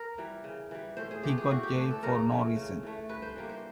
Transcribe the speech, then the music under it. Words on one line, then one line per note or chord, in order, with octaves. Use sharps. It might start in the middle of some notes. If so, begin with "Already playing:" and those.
He got jailed for no reason.
Already playing: A#4
E3 G3
C#3
E3 G3
A2 C5
G#4
E3 A3 G4
G#4
G4
A2 F#4
G4
E3 A3
A4
C#3 A#4
E3 A3
C#3
E3 A3
G2 B4
C5
E3 G3 A#3
C5